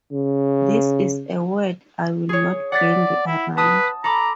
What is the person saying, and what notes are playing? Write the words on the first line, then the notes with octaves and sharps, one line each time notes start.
This is a word I will not bandy around.
C#3
G#4 C#5
D5 F#5 A6 B6
E4
B4 A5 D#6
A4 A#5 B5 D6